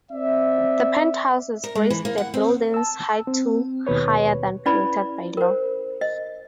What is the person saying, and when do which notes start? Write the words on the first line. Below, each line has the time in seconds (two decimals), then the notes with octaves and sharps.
The penthouses raised the building's height to - higher than permitted by law.
0.11 C4 D5 E5
1.64 A#4
1.75 G#3
1.90 E3
2.05 A#3
2.18 F#5
2.34 C4
2.74 A5 E6
3.27 C4
3.87 D#2 B2 B4 C#5
4.66 C#4 E4 B4 D5 B5
5.37 A#4 C5
6.01 D#5